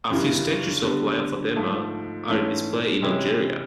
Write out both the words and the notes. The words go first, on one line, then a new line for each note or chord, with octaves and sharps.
A few statues of Lalla Fatma are in display in Algeria.
G1 F#2 C#3 E3 G3
D3 G3 B3
G#2 F3 A3
G#2 E3 A3 C#4
C3 E3 G#3 C#4 E4